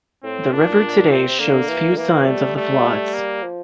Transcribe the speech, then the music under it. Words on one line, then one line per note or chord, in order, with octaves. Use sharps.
The river today shows few signs of the floods.
A2 C4
A#2 D4
C4
C3
D3 A#3
E3
D3
E3 A#3
G3 A3
G3 A3
A#3
F3